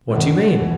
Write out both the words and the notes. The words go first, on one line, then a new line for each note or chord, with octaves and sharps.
"What do you mean?"
A2
B2 D#3
E3